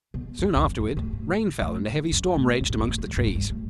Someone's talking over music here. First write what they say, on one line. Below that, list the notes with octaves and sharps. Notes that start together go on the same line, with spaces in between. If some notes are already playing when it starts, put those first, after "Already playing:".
Soon afterward rain fell and a heavy storm raged amongst the trees.
B2
F#2
E2
F#2
F#2
A2
A2
A2
F#2
A2
G2
A2
G2
A2
G2
A2
G2
A2
G2
A2